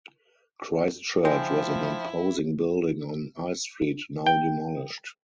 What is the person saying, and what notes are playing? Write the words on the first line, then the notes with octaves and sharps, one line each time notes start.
Christ Church was an imposing building on High Street, now demolished.
F3 G#3 E4 F4 G5
G5